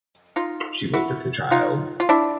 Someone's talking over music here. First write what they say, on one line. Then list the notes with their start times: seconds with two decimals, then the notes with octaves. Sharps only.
She looked at the child.
0.36 D#4 F4
0.94 E4 F#4
1.51 D#4 F4
2.00 F4
2.09 D4 E4